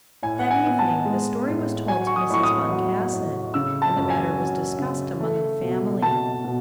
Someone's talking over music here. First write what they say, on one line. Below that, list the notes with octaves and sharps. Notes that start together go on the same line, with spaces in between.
That evening the story was told to Mrs. Boncassen, and the matter was discussed among the family.
A2 G#5
F#5
G#5
B3
A5
G#3
A2
F#3 G#5
C#6
D#6
A2 C#6
D#6
F#3
A2
C#3 E6
A5
F#2
G#5
F#3
C#3
A3
B2
B2 A5
B2